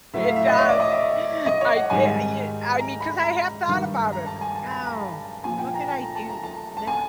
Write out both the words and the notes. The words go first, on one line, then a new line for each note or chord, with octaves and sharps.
It does. I y y I mean, 'cause I have thought about it, like, "Oh, what can I do?" You know?
A2 F#3 E5
F5
E5
D#5
C#5
D5
D#5
E5
D#5
C#5
F#5
G#2 D#3 G3 G#5
A#5
B5
A#5
G2 D#3 G3
A#5
A5
G#5
A5
B5
A#5
A5
A#2 F3 G#5
G5
A#5
A5
A#5
A5
A#5
A5
A5
G#5